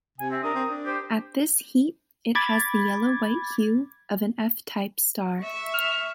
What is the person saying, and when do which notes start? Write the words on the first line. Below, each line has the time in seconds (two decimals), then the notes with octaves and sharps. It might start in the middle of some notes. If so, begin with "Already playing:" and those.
At this heat, it has the yellow-white hue of an F-type star.
0.18 C3 G#5
0.31 C4 E5
0.43 D4 A#4 D#6
0.55 C4
0.69 D4
0.85 G4 C5
2.35 B5 D6 G#6 A6
5.41 E5 C#6
5.74 F6